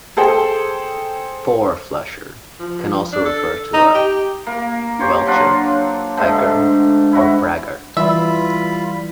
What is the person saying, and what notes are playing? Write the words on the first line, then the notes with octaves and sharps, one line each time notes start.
Four flusher can also refer to a welcher, piker, or braggart.
G#4 A4 C5 G5
F3
D4
A4
D#4
G4
A#3
G4 C5 C#5
F#3 D4 F4 F#5
G#2 D3 A3
E4 F#4
E3 G3 F4 E5 B5